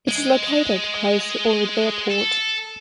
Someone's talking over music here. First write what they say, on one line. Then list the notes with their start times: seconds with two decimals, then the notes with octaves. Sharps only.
It is located close to Ohrid Airport.
0.08 G#3
2.11 A4